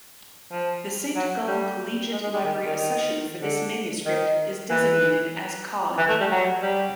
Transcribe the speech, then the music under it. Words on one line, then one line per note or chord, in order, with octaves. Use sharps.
The Saint Gall Collegiate Library Accession for this manuscript is designated as Cod.
F3
F#3
G3
G#3
G#3
G#3
D#3
D#3
D#3
D3
D#3
E3
E3
A3
G3
F#3
G3